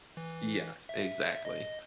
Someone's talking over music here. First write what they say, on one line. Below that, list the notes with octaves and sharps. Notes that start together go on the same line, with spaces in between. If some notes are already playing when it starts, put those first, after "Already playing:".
Yes, exactly,
E3
E5
D#5